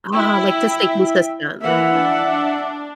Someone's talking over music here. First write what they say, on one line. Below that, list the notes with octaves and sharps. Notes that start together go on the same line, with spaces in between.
Ah, like, to stay consistent.
E4 E5 G5
E3 A#3 E5 F#5
D4